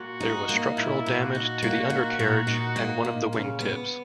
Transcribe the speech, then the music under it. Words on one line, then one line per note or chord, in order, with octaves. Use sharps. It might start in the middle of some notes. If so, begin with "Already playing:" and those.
There was structural damage to the undercarriage and one of the wing tips.
Already playing: A#2 F#4
D#4
A#3
A#2 E4
A#2
F#4
D#4
A#3
A#2
A#2
D#4
A#3
A#2
C#3 C#4
B3